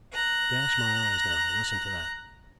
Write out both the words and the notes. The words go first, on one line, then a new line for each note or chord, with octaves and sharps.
'Dash my eyes now; listen to that!
A#5 F#6